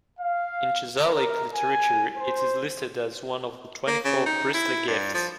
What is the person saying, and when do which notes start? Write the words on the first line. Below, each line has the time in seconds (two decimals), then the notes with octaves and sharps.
In Chazalic literature it is listed as one of the twenty-four priestly gifts.
0.19 F5
1.07 A#4
1.55 G#5
2.17 C5
3.87 A#3
4.05 C#3
4.26 D#4
4.54 E4
4.87 G2
5.14 F3